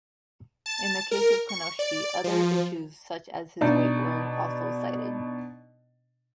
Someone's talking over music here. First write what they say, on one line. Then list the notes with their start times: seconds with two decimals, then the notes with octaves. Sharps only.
In the case of Konishiki, other issues such as his weight were also cited.
0.66 A5
1.11 A#4
1.49 C#6
1.79 D5
2.24 F3
3.61 B2 D4 D#4